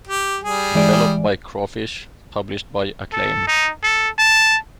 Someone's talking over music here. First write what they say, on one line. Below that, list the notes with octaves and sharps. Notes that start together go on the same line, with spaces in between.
Developed by Crawfish, published by Acclaim.
G4
G3 G#4
E3 G#3 D5
A4
D#4
A4
A5